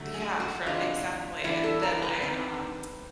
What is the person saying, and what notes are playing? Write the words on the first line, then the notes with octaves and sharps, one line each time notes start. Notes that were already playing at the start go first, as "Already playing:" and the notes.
Yeah, from Exactly, and then I, um,
Already playing: D3 F#3 A3
G#4
F#4
C3 E3 G#3 B3 D4 F4
E3 G3 B3 D4 E4
A4
A#4
B4
D#3 G3 C4